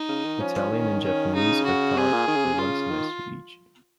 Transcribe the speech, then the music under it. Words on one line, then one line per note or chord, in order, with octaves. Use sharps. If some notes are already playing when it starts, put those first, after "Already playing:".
Italian and Japanese are taught for one semester each.
Already playing: D#4
C#3
D#3
F3 C#4
F3
D#3
C#4
C#3 D#4
F#4
C3 G#4
A#2
D#3
C#3
C3
C#3 F4
D#3